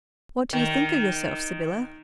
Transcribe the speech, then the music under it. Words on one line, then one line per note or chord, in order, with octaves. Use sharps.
"What do you think of yourself, Sybylla?"
D#3